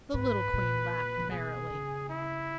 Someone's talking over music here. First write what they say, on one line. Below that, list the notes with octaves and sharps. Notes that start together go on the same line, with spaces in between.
The little Queen laughed merrily.
G#2 B4
A#2
C#3
B2 G#4
C#3
E4